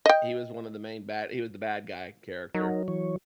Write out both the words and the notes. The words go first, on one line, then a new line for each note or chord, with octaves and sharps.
he was one of the main bad he was the bad guy character.
D#5 G5
F#3 D#4 A#4
E3 C#5